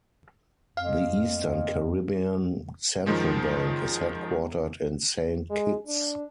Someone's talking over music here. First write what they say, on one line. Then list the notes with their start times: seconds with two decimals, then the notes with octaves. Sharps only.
The Eastern Caribbean Central Bank is headquartered in Saint Kitts.
0.77 F2 F5
3.06 F#2 D#3 F3 G#3
5.50 G#3
5.87 D4